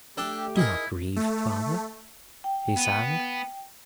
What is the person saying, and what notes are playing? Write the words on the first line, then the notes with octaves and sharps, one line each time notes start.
"Do not grieve, father," he sang.
A3 D4 G4 A4 G5
D#4 E4 G#4 A#4
A3
G5
B3